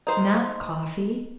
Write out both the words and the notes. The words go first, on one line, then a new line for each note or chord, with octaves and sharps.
Not coffee.
D#4 C5